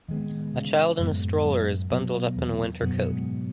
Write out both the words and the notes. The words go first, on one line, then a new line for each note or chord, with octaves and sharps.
A child in a stroller is bundled up in a winter coat.
A2 D#3 G#3 B3
C#3
F#2 A2 G#3 B3
F#2
B2 F#3 B3
E2
F#2 B2 F#3 B3
G#2